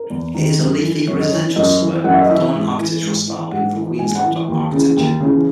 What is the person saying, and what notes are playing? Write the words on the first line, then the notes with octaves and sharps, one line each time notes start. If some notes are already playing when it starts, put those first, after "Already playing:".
It is a leafy, residential suburb with the dominant architectural style being "Queenslander" architecture.
Already playing: A#4
E2
D#3
F#2
E3
F#2 C#5
D#5
E3 C#5
F#2 D#5
E3
F#2 F#5
E5
D#5
E3 E5
G#2
E3
G#2
E3
G#2 F#5
E3
G#2 G#5
F#5
E3
D#2
C#3 E3
D#2
C#3 E3